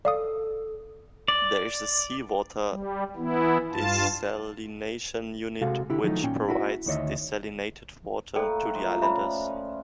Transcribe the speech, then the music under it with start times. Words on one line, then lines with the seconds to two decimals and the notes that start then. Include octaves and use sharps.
There is a Sea Water Desalination unit which provides desalinated water to the islanders.
0.05 A4 D5 F5 D#6
1.28 D5
2.68 G3
3.16 E3 B3 E4
3.72 G2 F4 A5
5.61 C3 G#3 F#4 A4 F5
5.90 D3 E4 G4
6.04 D#3 F3 F#3 A3 B3 D#4
6.23 A#2 C#4 G5
6.48 E4 F#4 A#4 B4
6.86 D2 D#3 C#5 D#5 E5
8.36 A3 A#3 A4 B4 D5 G5
8.75 F3 D#4
9.02 C#4 D4 E5 B5